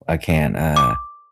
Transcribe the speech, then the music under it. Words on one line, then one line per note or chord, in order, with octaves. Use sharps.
I can't, uh,
D6